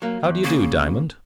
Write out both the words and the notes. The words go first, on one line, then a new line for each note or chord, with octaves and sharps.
"How do you do, Diamond?"
F#3 A#3
E2
C#3 A#3